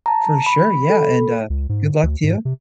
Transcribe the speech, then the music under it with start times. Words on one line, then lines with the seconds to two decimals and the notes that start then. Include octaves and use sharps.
For sure, yeah and, uh, good luck to you.
0.06 A5 A#5
0.46 B5
0.90 A4
1.50 C#2
1.69 G#2
2.03 D2
2.23 G#2
2.45 C3